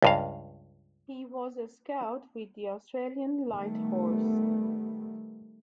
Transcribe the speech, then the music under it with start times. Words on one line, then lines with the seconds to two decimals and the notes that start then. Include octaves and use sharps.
He was a scout with the Australian Light Horse.
0.02 C#2 G2 F5
3.50 D#3 G3 A3 B3